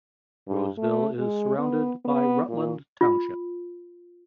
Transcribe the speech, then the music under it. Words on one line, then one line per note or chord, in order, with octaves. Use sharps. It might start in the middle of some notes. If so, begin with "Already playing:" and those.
Roseville is surrounded by Rutland Township.
G2
A3
G#3
B3
B3
A#2
F4